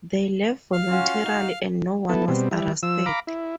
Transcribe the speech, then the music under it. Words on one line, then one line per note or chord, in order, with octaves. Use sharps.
They left voluntarily and no one was arrested.
F5 F6
C#4 F4 F#4
D#4 F#4
B3 E4 A4
B2 G3 C4
G3 E4
F3 E6
F5 A#5 B5 D6
E4